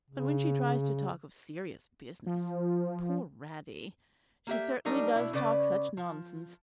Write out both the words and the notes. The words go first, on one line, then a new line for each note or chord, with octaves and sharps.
But when she tries to talk of serious business--poor Radie! she certainly does talk such nonsense!
C#3
F3
A#3 G4 E5
F#3 G3 D4 D#4 A#4
B2 E4
C#3 C#4 B4 D5
F3